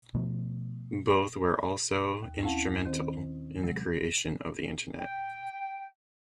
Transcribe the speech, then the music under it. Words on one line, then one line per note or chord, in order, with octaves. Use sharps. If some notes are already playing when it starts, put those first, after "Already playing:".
Both were also instrumental in the creation of the Internet.
B2 F3 A3 B3
D#2
C4 C#4 E4 F5 F#5 A5
D#3 C4 C5
C3 F#3 G#3
G5